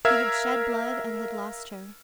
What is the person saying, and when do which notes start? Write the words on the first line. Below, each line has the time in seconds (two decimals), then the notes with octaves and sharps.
He had shed blood and had lost her.
0.05 A#4 E5 F5 E6 F6 G#6